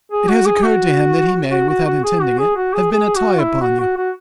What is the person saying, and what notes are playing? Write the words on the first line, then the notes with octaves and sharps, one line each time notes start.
It has occurred to him that he may, without intending it, have been a tie upon you.
G#4
F#4
G#4
F#4
F#4
F#4
F#4
G#4
F#4
G#4
F#4
G#4
G#4
F#4
E4
F#4
F#4
F#4